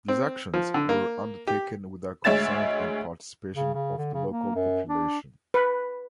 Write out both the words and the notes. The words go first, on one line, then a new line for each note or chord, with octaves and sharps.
These actions were undertaken without consent and participation of the local population.
C4
F3
D3
A#3
G4
D2 G#3 C#5 E5 A6 E7
C#3
C#3
D3
C#3
A#3
F#2
D4
B4